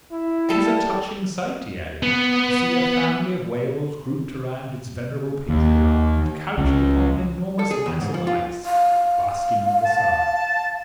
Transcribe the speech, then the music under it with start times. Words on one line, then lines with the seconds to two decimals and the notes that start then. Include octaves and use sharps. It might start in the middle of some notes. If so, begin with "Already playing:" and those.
It is a touching sight," he added, "to see a family of whales grouped around its venerable patriarch, and couched upon an enormous mass of ice, basking in the sun.
0.12 E4
0.49 G3 A4 A5
2.03 B3
5.49 D#2
6.58 C#2
7.59 A4
7.71 G#4
7.86 E2
8.01 G#2
8.14 F3
8.27 F4
8.66 F5
9.85 A5